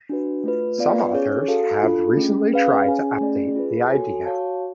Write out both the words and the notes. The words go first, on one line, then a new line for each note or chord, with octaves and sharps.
Some authors have recently tried to update the idea.
D4 F#4 B4
A3 F4 B4
B3 F4 B4 D5 F5
C#4 G#4 C#5
F#4 A4 F5
D4 F4 A4
A3 C#4 G#4
C#4 G#4 B4 F5
C#4 G#4 C#5 G#5
A3 C#4 G#4 D5
F4 G#4 B4
F#4 A4 C#5 G#5
F#4 C#5 F5 A5